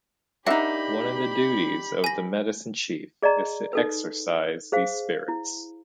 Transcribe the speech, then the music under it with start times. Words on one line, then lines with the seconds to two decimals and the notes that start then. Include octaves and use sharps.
One of the duties of the medicine chief is to exorcize these spirits.
0.47 D4 D#4 F#4 G4 A#4 E5 F#5 B5
2.04 G#5 A#6
3.22 G#4 D5 D#5 A#5
3.73 D#4 A4 B4
4.72 G#4 C5 F5
5.28 E4